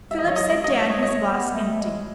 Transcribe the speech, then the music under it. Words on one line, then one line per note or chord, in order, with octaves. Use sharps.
Philip set down his glass empty.
G#3 E5
D#5
E3
F#3 C#5
D#5
G#3 D#5
D#5
G#3 C#5
G#3 C#5
G#3 D#5
A3 C#5
B3
A3
G#3